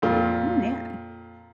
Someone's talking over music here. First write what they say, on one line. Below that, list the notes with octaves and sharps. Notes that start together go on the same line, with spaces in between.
Oh, man.
F2 A#2